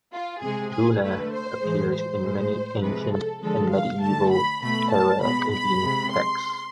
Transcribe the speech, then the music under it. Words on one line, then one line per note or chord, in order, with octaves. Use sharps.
"Guna" appears in many ancient and medieval era Indian texts.
F4
C3 G#3 G#4
G#4
D3 A3 B4
C5
A2 E3 G#3
C5
A2 G#3
C3 F3 G#3 B4
A4
D3 F3 G#3 A4
F5
D3 A3 A5
B5
B2 A3 B5
A5
B2 G#3 B5
B5
C3 G#3
C6